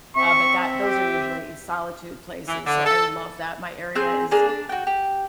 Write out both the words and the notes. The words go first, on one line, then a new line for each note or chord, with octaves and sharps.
Uh, but that those are usually solitude places, so I love that. My area is,
C4 E5 C#6
G4
E3
D3
A4
C4 G#4 G6
A#3 D4 G#4
D4
F#4 G5
G4